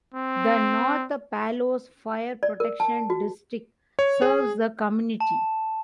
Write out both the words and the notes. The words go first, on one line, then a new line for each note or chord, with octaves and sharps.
The North Palos Fire Protection District serves the community.
C4
D5
A#4
A5
F#4
C#5
G#4
A5